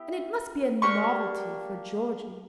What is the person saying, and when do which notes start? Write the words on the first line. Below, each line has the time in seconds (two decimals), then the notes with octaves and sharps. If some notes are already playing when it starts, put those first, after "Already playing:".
And it must be a novelty for Georgey.
Already playing: B3 E4 G4
0.82 A#3 D4 G4 C#6